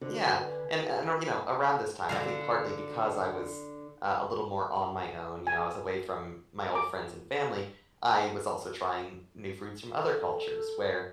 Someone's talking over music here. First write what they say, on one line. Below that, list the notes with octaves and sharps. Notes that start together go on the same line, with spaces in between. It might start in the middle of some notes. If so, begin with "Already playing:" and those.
Yeah, and and, you know, around this time, I think partly, because I was uh, a little more on my own, you know, I was away from my old friends, and family, I was also trying new foods from other cultures where,
D3 F#4 C5
B4 G#5
D3 F#4 F5
G#5
D6
A4